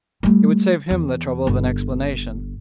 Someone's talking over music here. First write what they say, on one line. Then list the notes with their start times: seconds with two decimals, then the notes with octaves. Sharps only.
It would save him the trouble of an explanation.
0.23 G3 A3
0.90 E2
1.47 G1